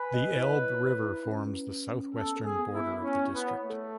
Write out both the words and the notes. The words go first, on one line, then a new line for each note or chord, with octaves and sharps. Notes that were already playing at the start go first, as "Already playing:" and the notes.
The Elbe river forms the southwestern border of the district.
Already playing: B4 G#5
D#5
E4
C#5
E4
E4
C#4
B4
C#4
C#4
B3 A4
A4
G#4
B3
E4
B3
C#4 E4
E4
B3
C#5
A3
A4